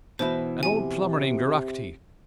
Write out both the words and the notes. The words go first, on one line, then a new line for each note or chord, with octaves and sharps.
An old plumber named Geraghty.
B2 E3 E4 C5
C3 G#5